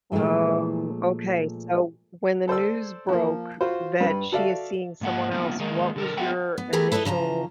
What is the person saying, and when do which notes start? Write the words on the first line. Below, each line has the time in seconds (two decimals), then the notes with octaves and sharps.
Oh, okay, so when the news broke that she is seeing someone else, what was your initial
0.12 A#2 E3 F3 G#3 A3
2.48 A4 C5 D5 E6
3.09 F3 A#3
3.61 F4 F#4 C5
4.01 G2 B4
4.32 F#4 A4 D5 E5 F5
5.01 G#2 A#3 F#5
5.31 G3 A#3 B3 D#4 F4
5.59 D#3 G#3 A#3 D#4
5.96 D3 A4 A#4
6.17 B3 F4 G#4 E5 F#5 G5
6.58 B3
6.73 E3 A3 B3 G4 G#4 A#4
6.92 E4 A4 B4 D5 D#5
7.05 C#3 F3 F#5 A#5